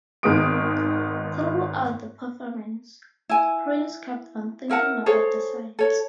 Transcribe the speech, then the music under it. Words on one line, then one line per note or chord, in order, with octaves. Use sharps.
Throughout the performance, the prince kept on thinking about the sights.
G#1 D#3 G#3 B3 D#6 D7
E4 G#5
E4 A#4 F#5 A5
G#4 A4 C5 C#5
A4 C#5